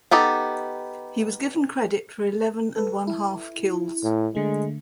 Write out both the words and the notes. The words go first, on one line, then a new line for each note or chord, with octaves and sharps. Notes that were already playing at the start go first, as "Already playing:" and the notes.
He was given credit for eleven and one half kills.
B3 D#4 G4 A4
A4 B4
E4
A2
D3 G#3 A3